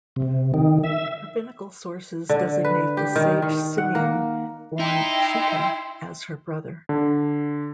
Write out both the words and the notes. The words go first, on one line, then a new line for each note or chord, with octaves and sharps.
Rabbinical sources designate the Sage Simeon born Shetah as her brother.
C3
D#3
E5
D3
B4
G4
D#3
D#3
F#5
A#3
D#4 E4 G5 C6
D3